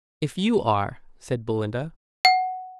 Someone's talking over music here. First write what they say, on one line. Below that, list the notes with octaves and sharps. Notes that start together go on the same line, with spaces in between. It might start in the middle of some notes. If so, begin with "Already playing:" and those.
"If YOU are," said Belinda.
F#5